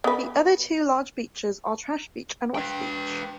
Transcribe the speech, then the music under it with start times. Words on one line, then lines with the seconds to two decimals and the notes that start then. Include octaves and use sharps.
The other two large beaches are Trash Beach and West Beach.
0.04 B3 B4
2.55 B4 G5